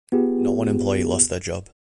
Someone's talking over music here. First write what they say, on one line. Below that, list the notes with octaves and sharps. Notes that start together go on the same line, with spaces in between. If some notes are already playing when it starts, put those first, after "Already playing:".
Not one employee lost their job.
B3 F4 G4 G#4